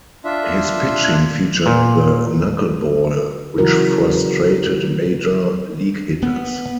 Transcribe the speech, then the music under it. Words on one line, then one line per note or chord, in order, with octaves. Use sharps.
His pitching featured the knuckleball, which frustrated major league hitters.
D4 F4 E5
A#2
C#3 E3 F#3 E4 F#4 A#4
B3